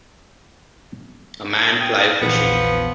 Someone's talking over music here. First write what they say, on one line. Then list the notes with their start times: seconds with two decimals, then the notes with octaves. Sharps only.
A man fly fishing.
1.81 G5 D#6 G#6
2.22 A#1 E2 F3 B3